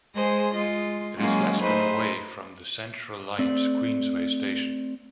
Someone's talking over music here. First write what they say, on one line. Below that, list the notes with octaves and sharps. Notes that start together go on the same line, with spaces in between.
It is less than away from the Central line's Queensway station.
G#3 G#4 C5 A#6
G#3 F4 D#5
F#3 G#3 A#3 C#4 F4 F#4
A3 D#4 G#4 B4 C5
A3 C4 D5